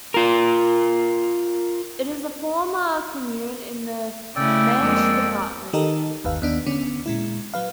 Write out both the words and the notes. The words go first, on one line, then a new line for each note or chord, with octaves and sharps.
It is a former commune in the Manche department.
F4 A#4
C#3 A3 E4 A4 D5 G5
F2 G#3 A#3
D#3 D#4 G4 A4 A#4 D#5
G1 D#2 B4 F5
D#2 B3 D4
D3 B3 C#4
A#2 G#3 E4
F#3 B4 F5